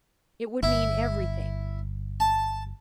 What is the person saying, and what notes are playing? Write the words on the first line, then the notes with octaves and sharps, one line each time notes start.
It would mean everything.
G1 E4
A5